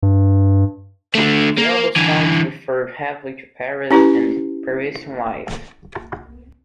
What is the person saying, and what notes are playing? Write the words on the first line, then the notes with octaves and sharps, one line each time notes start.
The album's songs refer heavily to Paris, and Parisian life.
G2
D3 A3
A#3
D3 E3
C#4 E4 G4 B4